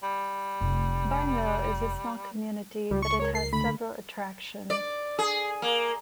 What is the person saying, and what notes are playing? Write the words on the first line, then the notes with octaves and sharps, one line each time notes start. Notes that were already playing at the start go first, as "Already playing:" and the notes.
Barnwell is a small community, but it has several attractions.
G3
F1 A3
C#2 G3
C#6
G#3 A#4 C#5
A#4 C7
D3 A3 B5
D5
G#4
A#3